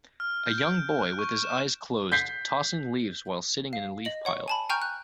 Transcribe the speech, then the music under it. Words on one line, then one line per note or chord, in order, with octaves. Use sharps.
A young boy with his eyes closed tossing leaves while sitting in a leaf pile.
F6
G6
D7
F#6
C#6
E7
G6 B6 C7
F5
D#5 F#7
C#5 F#5 C#6
G#5 A5 B5
G5 G#5 A#5 C#6 F6 G6
F#6